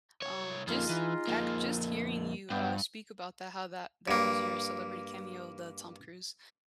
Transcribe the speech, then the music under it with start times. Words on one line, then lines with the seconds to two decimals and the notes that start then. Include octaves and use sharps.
Um, just, ac just hearing you, uh, speak about that, how that that was your celebrity cameo, the Tom Cruise,
0.22 C2 C#5
0.67 F2 G#3 A#3 D#4 F4
0.89 E3
1.28 F2 A#3
2.50 G2 B3 G5
4.08 G2 A#3